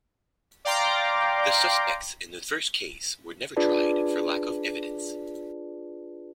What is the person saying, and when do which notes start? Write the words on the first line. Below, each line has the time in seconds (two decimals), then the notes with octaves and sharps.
The suspects in the first case were never tried, for lack of evidence.
0.65 D5 F5 G5 A#5 C6 D6
3.57 D4 F4 G#4 B4 D5 A5